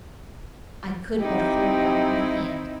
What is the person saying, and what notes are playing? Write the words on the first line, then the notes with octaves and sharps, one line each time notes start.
I could but hold out my hand.
C4 D#4 E4 G4